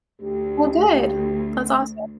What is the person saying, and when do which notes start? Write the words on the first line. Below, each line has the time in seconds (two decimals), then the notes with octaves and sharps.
Oh, good, that's awesome.
0.22 D2 G4